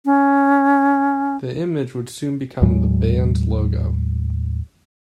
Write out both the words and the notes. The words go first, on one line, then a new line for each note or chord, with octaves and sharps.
The image would soon become the band's logo.
C#4
D#2 A2 F#3 G#3